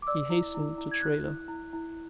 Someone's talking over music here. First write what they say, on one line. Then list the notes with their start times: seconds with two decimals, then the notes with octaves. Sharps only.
He hastened to Tredah.
0.02 D6
0.07 D5 E6
0.30 E4
0.55 E4
0.78 E4
0.91 G#6
1.01 E4 F#6
1.25 E4
1.48 E4
1.73 E4